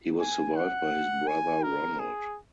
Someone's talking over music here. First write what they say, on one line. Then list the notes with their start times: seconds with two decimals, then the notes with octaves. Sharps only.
He was survived by his brother Ronald.
0.20 G#5
0.56 F#5
1.27 G#5
1.63 A#4
1.99 G#4